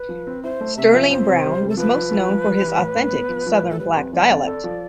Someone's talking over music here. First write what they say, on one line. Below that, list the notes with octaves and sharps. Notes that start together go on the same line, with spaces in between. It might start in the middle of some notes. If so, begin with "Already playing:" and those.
Sterling Brown was most known for his authentic southern black dialect.
Already playing: B4
F3
C4
E4 C5
A3
C3 E5
F3
F2 C5
C3
G3
C3
A4
F3 B4
F3
F3
F3
G3
E3
A2
A2
B3
F3
F3
A2
A4
G3 B4
F2
E3 D5
F2
A4
F3